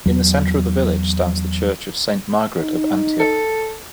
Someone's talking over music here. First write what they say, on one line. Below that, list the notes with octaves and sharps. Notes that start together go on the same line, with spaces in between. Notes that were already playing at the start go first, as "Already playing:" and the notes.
In the centre of the village stands the church of Saint Margaret of Antioch.
E2 F#3
D#4
A4